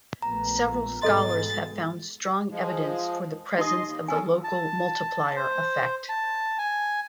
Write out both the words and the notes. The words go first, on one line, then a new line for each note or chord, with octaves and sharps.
Several scholars have found strong evidence for the presence of the local multiplier effect.
A#1 A3 B3 A#5
G#2 B2 G#3 A4 D#5 C6 A6
F3 G#3
D#4 G4 D#5 C6 D#6
D#2
B3 C#4 A4 G#5
A5
C5
A5
G#5